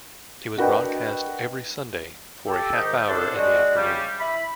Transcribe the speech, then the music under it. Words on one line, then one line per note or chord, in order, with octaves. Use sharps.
It was broadcast every Sunday for a half-hour in the afternoon.
D4 F#4 A#4 B4 D#5 G5
G4 A4
G#2 D#3 D#4 G4
C2 F#2 D4 A4 C5
G#3 D4 F#4
C#3 G3
E4 B5